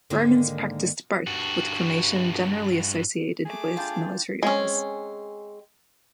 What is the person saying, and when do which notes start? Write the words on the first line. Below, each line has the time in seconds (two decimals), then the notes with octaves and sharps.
Romans practiced both, with cremation generally associated with military honors.
0.10 G#2 D3 D#3 G#3 A#3 D#4
1.27 G2 F#4
3.45 A3 G#4 D6
3.77 D4 F4 G5 A5
4.43 G#3 C4 C#4